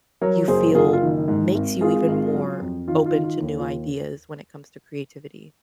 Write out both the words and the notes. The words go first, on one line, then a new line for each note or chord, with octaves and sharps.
you feel makes you even more open to new ideas when it comes to creativity?
F#3 A#4 C#5
F#1 G#4 C5
F#1 F4 G#4
F4
D#3
G#2
G#1
G#1 F4 G#4
G#1
F#3
F2
D#3 F4
F4
D#3
F4
D#2 D#4
F4